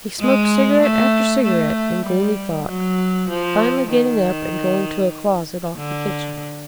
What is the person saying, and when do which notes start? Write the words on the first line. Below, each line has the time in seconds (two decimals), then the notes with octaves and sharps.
He smoked cigarette after cigarette in gloomy thought, finally getting up and going to a closet off the kitchen.
0.20 G#3
0.82 A3
1.43 A3
2.06 G3
2.68 F#3
3.29 F3
3.91 D#3
5.76 D3